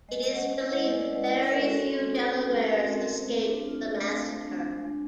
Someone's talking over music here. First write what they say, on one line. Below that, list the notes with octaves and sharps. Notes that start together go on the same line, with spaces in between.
It is believed very few Delawares escaped the massacre.
G#3 D#5
C#4 F#5
E4
D#5
G#3 D5
G#3 B4
C#4 A#4
F#4 A4
C4
D#4
G#3 A#4
F#4
C4
A3 C5
D4
F4
A3 F5
A3
D4
G#3